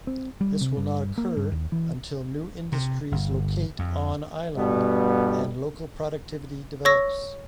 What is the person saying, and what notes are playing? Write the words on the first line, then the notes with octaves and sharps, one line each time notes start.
This will not occur until new industries locate on island and local productivity develops.
C4
G3
C3
G2
A#3
G2
D#2
E3
C3
G1
F2
G2 B2 G3 A3 B3
C#5 C#6 E6 A#6